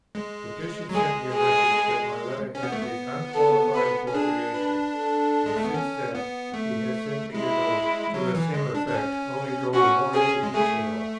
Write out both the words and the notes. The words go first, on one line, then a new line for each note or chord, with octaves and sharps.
The Bishop sent me a message that my Letter had his unqualified approbation; and since that, he has sent me a note to the same effect, only going more into detail.
G#3
F#3
G#3 G#4
G#4
C#4
B3
A3
B3
A4
B4
C#4
D4 G#4
B4
A4
G#3
A3
B3
C#4
B3
A3
G#3 E4
F#3
E3
G#3
D4
D4
C#4
C#4 F#4
G#4
G#3
A3 G#4